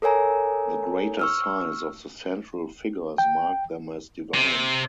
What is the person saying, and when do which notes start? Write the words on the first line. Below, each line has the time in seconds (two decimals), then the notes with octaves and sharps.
The greater size of the central figures mark them as divine.
0.02 A4 A#4 C#5 G#5 A#5
1.19 C#6 E6 F6
3.18 G5
4.34 C3